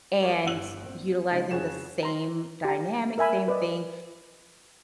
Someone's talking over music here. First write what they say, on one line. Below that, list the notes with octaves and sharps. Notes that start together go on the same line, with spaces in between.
and utilizing the same dynamic, same thing,
G4 A#4 C#5 D5 F5
G1 G2 F#5 E6 F#7
A#1 C4
C#3 G#3 D#4
F2 C#3 F#4 G#4 C#5 E7
A#5 C6
G4 A#5
A#4 E5 G#5 B5
B4 D5 D#5